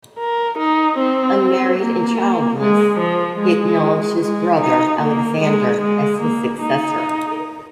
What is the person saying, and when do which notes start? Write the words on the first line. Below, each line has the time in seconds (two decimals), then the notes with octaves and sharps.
Unmarried and childless, he acknowledged his brother Alexander as his successor.
0.18 A#4
0.59 D#4
0.98 C4
1.79 A#3
2.60 G#3
3.00 F3
3.39 G#3
4.21 G#3
4.61 D#4
5.01 A#3
5.41 G#3
5.81 G#3
6.22 A#3
6.61 D#4